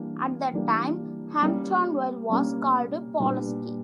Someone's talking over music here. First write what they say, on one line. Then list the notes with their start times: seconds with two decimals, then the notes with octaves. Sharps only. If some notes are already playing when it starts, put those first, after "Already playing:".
At the time, Hamptonville was called "Pollasky".
Already playing: E3 G3 A#3 D4
0.53 E3 G3 A#3 D4
1.42 G3 A#3 C#4
2.30 G3 A#3 C#4
3.19 A#2 G3 B3 D4